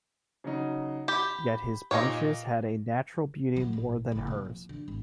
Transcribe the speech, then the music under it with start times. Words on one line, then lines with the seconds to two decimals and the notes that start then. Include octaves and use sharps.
Yet his bunches had a natural beauty more than hers.
0.44 C#3 F#3 D#4
1.08 G4 B5 G6
1.91 A#2 D#4 G4 C#5 F5 A#6
3.56 F#3
3.73 A1
4.12 F#1
4.27 B2
4.45 F3
4.69 D3
4.88 G#1